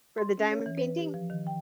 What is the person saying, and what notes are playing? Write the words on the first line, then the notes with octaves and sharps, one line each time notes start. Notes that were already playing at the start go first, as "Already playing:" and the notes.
for the diamond painting?
C6
C#4
C#5
E3
B4
G4
F3
D#3
G5